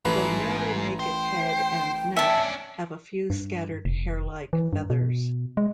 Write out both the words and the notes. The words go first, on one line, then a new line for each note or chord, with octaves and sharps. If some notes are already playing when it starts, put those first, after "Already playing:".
The nearly naked head and neck have a few scattered hair-like feathers.
A1 G#2 A3 B4
C5 G5
C#4 D4 E5 A5
G2
F1
E3
G2
B2
G#3